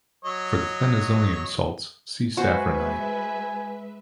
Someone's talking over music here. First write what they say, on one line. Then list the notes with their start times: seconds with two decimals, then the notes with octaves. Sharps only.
For the phenazonium salts, see safranine.
0.25 F#3 C#5 D#5
2.37 G#3 F#4 B4 C5 E5 G#5